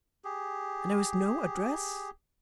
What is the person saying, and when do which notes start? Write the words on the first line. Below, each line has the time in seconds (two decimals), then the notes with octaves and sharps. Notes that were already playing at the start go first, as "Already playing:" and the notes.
And there was no address?
0.24 G4 G#4